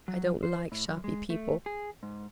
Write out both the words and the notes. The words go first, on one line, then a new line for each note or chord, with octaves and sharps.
I don't like shoppy people.
F#3
C5
A2
F#2
G#3
A3
G#4
G#2